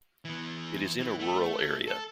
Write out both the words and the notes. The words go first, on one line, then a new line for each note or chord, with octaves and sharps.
It is in a rural area.
E3 B3
E3
A3
A4